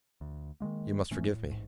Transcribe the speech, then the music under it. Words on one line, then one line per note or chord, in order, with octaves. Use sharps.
You must forgive me.
D2
D#3 F#3 G#3 A#3
A2 E3 A3 C#4
A2
A1 G#2